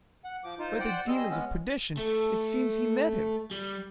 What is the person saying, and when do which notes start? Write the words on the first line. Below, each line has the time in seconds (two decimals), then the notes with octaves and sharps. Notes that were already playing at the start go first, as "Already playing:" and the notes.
By the demons of perdition, it seems he met him!
0.24 F#5
0.44 F3 D6
0.59 D#4 F4 C5
0.80 C5 D5 F#5 G5
1.08 G3 C4 G#4 D#5 E6
1.30 G#3 B3 C#4
1.98 A3
3.51 G3